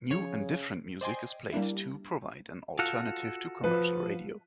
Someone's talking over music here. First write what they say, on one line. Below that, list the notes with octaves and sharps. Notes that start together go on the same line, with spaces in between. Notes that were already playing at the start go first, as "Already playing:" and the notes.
New and different music is played to provide an alternative to commercial radio.
C#3 F3 C#5
C5 D5 D#5 G5 G#5 C6
G3 A#3 D4 E4
F4 F#4 A4
F3 B4